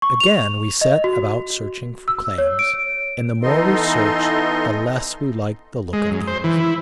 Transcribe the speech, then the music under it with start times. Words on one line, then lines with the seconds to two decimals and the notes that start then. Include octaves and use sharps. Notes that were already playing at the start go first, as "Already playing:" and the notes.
Again we set about searching for claims, and the more we searched the less we liked the look of things.
0.02 C#6
0.20 F7
0.81 D#5
1.04 F#4
2.08 E6
2.38 C#5
2.59 D7
3.42 E3 B3 D#4 A4 D#5 C6
5.93 G#3
6.11 F#2
6.27 C5
6.44 E3
6.59 E4